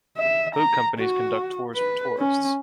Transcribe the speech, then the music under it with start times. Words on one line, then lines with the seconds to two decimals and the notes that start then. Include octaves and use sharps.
Boat companies conduct tours for tourists.
0.17 E5
0.55 A#5
0.99 F#4
1.75 B4
2.18 C#4